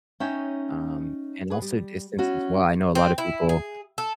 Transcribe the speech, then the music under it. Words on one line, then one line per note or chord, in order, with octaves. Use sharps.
Um, and also distance as well. I know a lot of people,
C#4 D#4 C#5 E5 G5 G#5
G#4 B4
G3
C#4 E4 F#4
C4
E4
G#4
A4